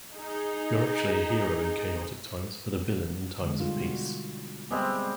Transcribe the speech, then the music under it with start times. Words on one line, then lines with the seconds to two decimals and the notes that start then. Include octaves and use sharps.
You're actually a hero in chaotic times but a villain in times of peace.
0.15 D#4 G#4
3.41 D3 G#3
3.60 G3 D#4 F4
3.76 B2 F#4
4.71 G3 G#3 B3 C4